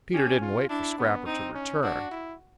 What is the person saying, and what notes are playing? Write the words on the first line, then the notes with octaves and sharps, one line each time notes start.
Peter didn't wait for Scrapper to return.
C#4 G4
F4
D4 E4
B3
C4 D#4
C#4
D4 F#4
E4